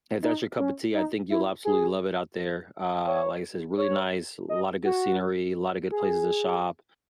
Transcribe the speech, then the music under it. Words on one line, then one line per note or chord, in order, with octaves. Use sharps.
if that's your cup of tea, I think you'll absolutely love it out there, uh, like I says, it's really nice, a lotta good scenery, a lotta good places to shop,
D#4
C#4
D#4
E4
G#4
C#5
C#5
D#5
F#4
G#4